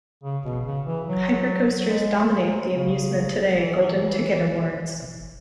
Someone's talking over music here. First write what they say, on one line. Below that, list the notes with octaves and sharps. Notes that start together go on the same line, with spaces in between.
Hypercoasters dominate the "Amusement Today" Golden Ticket Awards.
C#3
B2
C#3
E3
F#3
F#3
G#3
F#3
C#3
E3